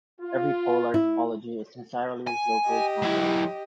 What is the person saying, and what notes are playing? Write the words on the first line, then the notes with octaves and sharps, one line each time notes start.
Every polar topology is necessarily locally convex.
F4
E4
G#5
G4 D#5
F#3 E4